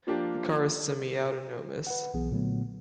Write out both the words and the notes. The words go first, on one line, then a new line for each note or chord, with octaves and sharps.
The car was semi-autonomous.
F3 A#3 D4 F4 G4
B4 F#5
B1 E3 B3 G#4
A#2 D3 F#3 A3 B3